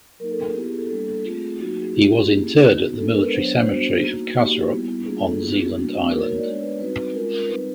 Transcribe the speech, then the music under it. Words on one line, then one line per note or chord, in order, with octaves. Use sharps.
He was interred at the military cemetery of Kastrup on Zealand island.
F#3 A#3 D#4 A#4
A4
G#4
B3 E4 G4
G#4
A4
G3 A#3 D4 A4
A4
A3 C4 F4 G#4
G#4
F#3 A#3 D#4 F#4
G#4
G#3 C#4 F4 G4
F#4
G4
A#3 C#4 E4 G#4
B3 D#4 F#4
G#3 B3 D4 A4
A#4
B4
F#3 B3 D4 C5
C#5
C5
G3 B3 D4 F#4
A#3 D#4 F#4
A#3 D#4 F#4 G4
G4
G3 B3 E4
G3 A#3 D4 F4 G#4
A4
B3 E4 G#4
G3 A#3 D4 F#4
A#3 D#4 F#4 A#4
C#5
D5
G#3 B3 D4 C#5
B4
G3 C4 D#4 F#4 B4
B4
G#3 C#4 F4 A#4
A#4
G3 C4 D#4 B4